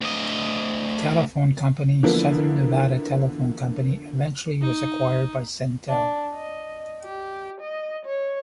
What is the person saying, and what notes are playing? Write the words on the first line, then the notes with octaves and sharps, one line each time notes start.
The telephone company, Southern Nevada Telephone Company, eventually was acquired by Centel.
D2 D#5
D3 E3 F3 A#3 B3 E4
D#4
D4
D#5
G4
D#5
C#5